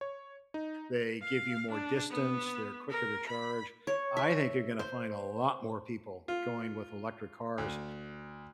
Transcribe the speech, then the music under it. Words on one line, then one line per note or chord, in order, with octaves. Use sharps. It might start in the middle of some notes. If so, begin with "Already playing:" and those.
they give you more distance, they're quicker to charge, I think you're gonna find a lot more people going with electric cars.
C#5
D#4
F5
D4
B3
A#4
B5
C#5
E5
C5
F4
D2